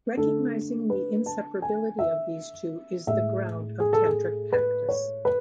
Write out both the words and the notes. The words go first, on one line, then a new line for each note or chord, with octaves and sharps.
Recognizing the inseparability of these two is the ground of tantric practice.
D3 A3 A4
B4
A5
G#5
E5
A2 G#3 E5
G#4
A4
G#4
B4
C#5
B4